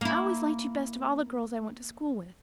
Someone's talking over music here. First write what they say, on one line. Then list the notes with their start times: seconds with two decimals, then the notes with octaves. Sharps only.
I always liked you best of all the girls I went to school with.
0.01 A#3 E4